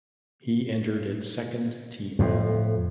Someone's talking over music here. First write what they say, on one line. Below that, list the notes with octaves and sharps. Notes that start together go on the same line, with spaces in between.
He entered its second team.
F2 A2